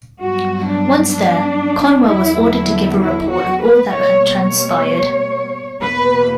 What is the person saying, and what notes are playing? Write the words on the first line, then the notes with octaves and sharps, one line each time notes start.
Once there, Conwell was ordered to give a report of all that had transpired.
G2 F#3 B3 F#4
D4
D4
E2 D3 F#3 E4
E4
E4
F#4
B4
B2 G3 A#3 C#5
C#5
E2 B2 A#3 B4